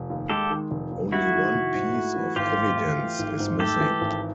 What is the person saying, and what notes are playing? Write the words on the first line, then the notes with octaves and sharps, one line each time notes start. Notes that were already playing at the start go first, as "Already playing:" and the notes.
Only one piece of evidence is missing.
Already playing: F1
D#2
G#3 G4 A4
D#3
F1
D#2
G#3 E4 F#4
D#3
F1
G#2
A3
E3
G#1 F4 G4
G#2
A3
E3
G#1
G#2
A3 G4 A4
E3
G#1